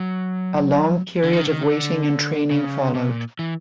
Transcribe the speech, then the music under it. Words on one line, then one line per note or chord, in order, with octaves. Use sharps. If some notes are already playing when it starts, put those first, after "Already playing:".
A long period of waiting and training followed.
Already playing: F#3
D3
D#3
D3
D#3
D3
C#3
C3
A#2
E3